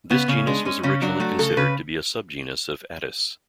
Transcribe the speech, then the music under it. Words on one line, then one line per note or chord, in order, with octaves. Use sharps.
This genus was originally considered to be a subgenus of "Atys".
C#3 B3
C#3 C#4
G#3 D4
G#3 C#4
C#3 C#4
F#3 D4
A3 F#4
C#3 A4
C#3 B4